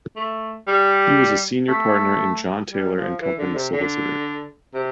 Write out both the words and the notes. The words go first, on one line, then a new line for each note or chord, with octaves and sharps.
He was a Senior Partner in John Taylor and Company solicitors.
A3
G3
A3
G3
F3
E3
D3
C3
D3
C3